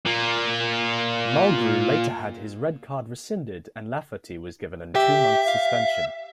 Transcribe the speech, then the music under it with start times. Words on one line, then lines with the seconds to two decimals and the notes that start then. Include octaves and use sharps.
Mulgrew later had his red card rescinded and Lafferty was given a two-month suspension.
0.06 A#2 A#3
4.96 G4 E5
5.48 F5